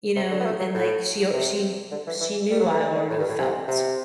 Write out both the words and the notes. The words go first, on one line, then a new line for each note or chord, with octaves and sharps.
you know, and and, like, she o she she knew I already felt
C3
D3
B3
A3
F#3
A2
C3
D3
E3
E3
G3
F#3
E3
D3
D3
A2
G2
A2
C3
C3